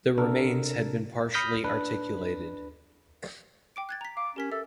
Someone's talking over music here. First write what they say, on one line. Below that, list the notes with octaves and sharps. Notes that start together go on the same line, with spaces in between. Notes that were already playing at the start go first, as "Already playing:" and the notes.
The remains had been partially articulated.
C3 D4 A4 A#4
B5 D#6 F6 G6 A#6 B6
D4 B4
G5 D6 D7
F#6 G#6 A6
A#5 B6
F5 D6
C#4 G4 A#4 B6
A4 E5